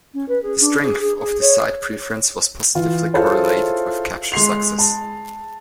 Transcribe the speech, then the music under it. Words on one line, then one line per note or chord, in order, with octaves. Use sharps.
The strength of this side preference was positively correlated with capture success.
C#4
B4
G#4
D4
G#4
G#4
G#4
C#5
E3 F4
E4 F4 G#4 A4 C5 C#5
G#3 C6 C7 F7
A5